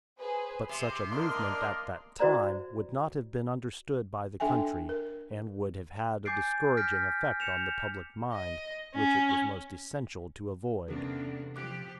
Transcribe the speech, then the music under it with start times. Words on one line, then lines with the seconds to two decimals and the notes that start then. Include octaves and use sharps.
But such a movement, at that time, would not have been understood by the country, and would have had a discouraging effect on the public mind, which it was most essential to avoid.
0.19 G#4 B4 C5
0.69 C3 C6
1.11 A#3 D4 A#4 D5 D#5
2.19 E4 F#4 C5 D5 A#5
4.40 D4 A4 E5 G5 G#5
4.89 A#4
6.25 G#5 D6 G6 A6 C7 D7
6.77 F6 G6 A#6 B6 D7
7.40 G6 C#7 E7 F7
8.31 D#5
8.94 C#4
10.88 E2 C3 A#3 C#4 D4 A4
11.56 F3 G4 D6 F#6